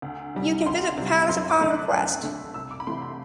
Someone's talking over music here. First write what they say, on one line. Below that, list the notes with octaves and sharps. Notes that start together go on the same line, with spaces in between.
You can visit the palace upon request.
D2
C3 G3
D2 C6
C3 G3
F#2 C6
D6
D3 A3
F#6
F#2 F#6
D3 A3
C2 E6
D6
B5
C3 E3 A3 C6
B5